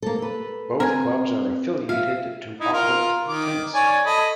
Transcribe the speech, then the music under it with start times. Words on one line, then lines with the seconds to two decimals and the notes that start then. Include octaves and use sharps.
Both clubs are affiliated to Auckland Tennis.
0.02 A#3 A4
0.19 A4 B4
0.80 C4 A#4 G#5
1.89 F4 E5 F5
2.60 D#4 E4
2.73 F4 A#4
3.28 D#3 D6
3.74 C#5 D5 G#5
4.06 A4 D#5 B5